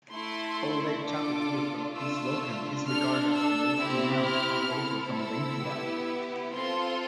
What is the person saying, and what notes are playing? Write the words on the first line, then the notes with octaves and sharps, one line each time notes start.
Oleg Chapogir from Kislokan is regarded as the most renowned composer from Evenkia.
A3 E4 A4 C6
D4 F4 A4 D6
A3 D4 F4 E6
D4 A4 F6
E6
C4 E4 G4
F6
C4 E4 A4
E6
B3 E4 G4
C4 F4 A4 C6